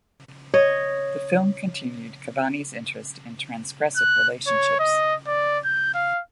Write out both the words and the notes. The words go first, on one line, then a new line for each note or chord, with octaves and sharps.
The film continued Cavani's interest in transgressive relationships.
C#5 D#5
F#6
C#5
D#5
D5
G6
F5